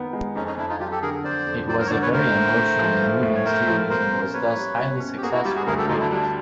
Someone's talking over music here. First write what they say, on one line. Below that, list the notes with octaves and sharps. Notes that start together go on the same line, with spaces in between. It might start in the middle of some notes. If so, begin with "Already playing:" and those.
It was a very emotionally moving series and was thus highly successful in ratings.
Already playing: D#3 B3
G#3
F2 C#4 D#4
C#4 D#4
F2 D4 E4
D#4 F4
F#3 F4 G4
G4 A4
D3 G#4 A#4
F2 C5 D5
F2
F#3 C5 D5
A#4 C5
C#5
D3 C5 D5
B4 C#5
A2 A#4 C5
A2
A3
F3
A2
A2
C#5
A3 A#4 C5
F3
B2 A#4 C5
C#4
A#3 B4 C#5
G3
B2
C#4
G4
A#3 F#4 G#4
E4 F#4
G3 F4 G4
F#4 G#4
D2 G#4 A#4
G4 A4
D2 D#4 F4
D4 E4
G3 D4